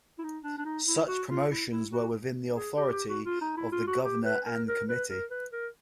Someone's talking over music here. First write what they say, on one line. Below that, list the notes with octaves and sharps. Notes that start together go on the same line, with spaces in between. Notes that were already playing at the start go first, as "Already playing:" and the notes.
Such promotions were within the authority of the Governor and Committee.
E4
D#4
D4
D4
D#4
E4
F#4
F4
E4
E4
F#4
G#4
G4
G4
F#4
F4
D#4
E4
F4
F#4
G4
B4
A#4
A#4
B4
A#4
B4
A#4